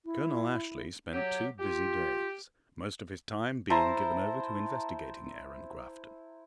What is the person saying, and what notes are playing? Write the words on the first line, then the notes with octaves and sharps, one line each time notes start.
Colonel Ashley spent two busy days, most of his time being given over to investigating Aaron Grafton.
E4
F#3 G4 C#5
F4 G4
E4 C5 A5 A#5